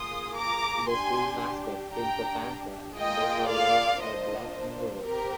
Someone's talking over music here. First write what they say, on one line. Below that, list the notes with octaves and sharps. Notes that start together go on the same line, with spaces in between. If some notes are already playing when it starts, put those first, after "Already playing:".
The school mascot is the Panther and the colors are black and gold.
Already playing: A#3 F4 G#4 C6 D#6
A#5 D6
D4 G4 G#5 C6
D4 G4 G5 A#5
A#3 F4 G#4 D#5 G5
D5 F5
A#3 D4 F4 C5 D#5
C5
C4 G4 A#4